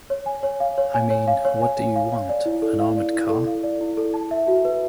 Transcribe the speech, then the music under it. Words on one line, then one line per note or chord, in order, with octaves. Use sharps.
I mean, what do you want, an armoured car?
C#5
G#5
C#5
F5
C#5
G#5
C#5
F5
C#5
G#5
C#5
F5
F5
D5
E4
A4
F5
D5
E4
A4
F5
D5
E4
A4
A5
E5
F#4
B4